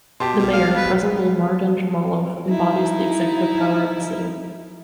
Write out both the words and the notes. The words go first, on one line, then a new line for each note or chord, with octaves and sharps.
The mayor, presently Mardan Jamalov, embodies the executive power of the city.
B2 G4 A5 C6
B1 B2
F5
B4
D#4 E4